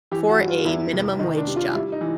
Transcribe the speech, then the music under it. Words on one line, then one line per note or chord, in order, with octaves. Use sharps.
For a minimum wage job.
E3 G4
F#4
G2
F4
E2 E4
F1
D#3 D#4
D4
C3
F4
G3 E4
D#4
E3